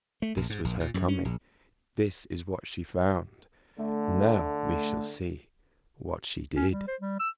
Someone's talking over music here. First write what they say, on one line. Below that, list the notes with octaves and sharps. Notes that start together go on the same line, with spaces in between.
This was her coming; this is what she found; now we shall see what she did.
A3
A#1
G#2
A#1
A#2
F#2
C#4
A#1
D3 A3
C#4
G3
C5
G3
E6